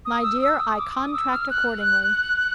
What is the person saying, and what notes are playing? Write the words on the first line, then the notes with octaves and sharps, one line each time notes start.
"My dear, I contract accordingly."
D#6
E6
E6
D#6
D6
D#6
E6
F6
F#6